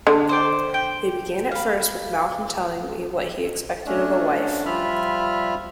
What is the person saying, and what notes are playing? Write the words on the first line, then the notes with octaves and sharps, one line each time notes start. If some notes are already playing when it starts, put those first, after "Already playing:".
They began at first with Malcolm telling me what he expected of a wife.
D3
C5 D5 G5
G5
F5 B5
A3 C#4 D4
F3 G3 F4 E5 B5 F6